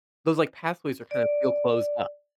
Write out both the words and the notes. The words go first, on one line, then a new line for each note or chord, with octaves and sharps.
Those, like, pathways are kinda feel closed up.
D5